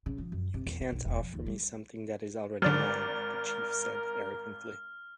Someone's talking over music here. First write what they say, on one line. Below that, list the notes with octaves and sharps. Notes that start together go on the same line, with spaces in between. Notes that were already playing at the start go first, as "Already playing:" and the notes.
"You can't offer me something that is already mine," the chief said, arrogantly.
C#3
F3
F#2
C3
E2
B3
B1
E1
F3
D#2
G3
G#1 D3 F#3 A#4 D5 F6